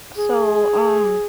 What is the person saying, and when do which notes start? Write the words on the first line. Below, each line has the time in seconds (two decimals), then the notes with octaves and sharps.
so, um,
0.18 G#4